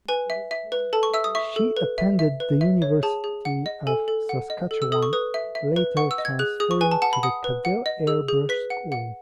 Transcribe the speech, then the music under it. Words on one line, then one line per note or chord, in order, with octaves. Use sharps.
She attended the University of Saskatchewan, later transferring to the Kadel Airbrush School.
B4 G#5
E5
E5
B4
A4 A5
C#6
E5 E6
D#6
E5 C#6
A4
B4
E5
E5
B4
E5
C#5
G#4 A5
G#4
F#5
D#5
A4 G#5
A4
F#5
D#5
A4
E6
A4 D#6
C#6
B4 D#6
E5
E5
B4
F#5 C#6
E6
D#5
G#6
G#4 F#6
G#4 D#6
C#6
B4 G#5
A5
F#5 A5
B5
F#5 D#6
B4
F#5
D#5
G#4 E6
G#4
B4 B6
F#5
F#5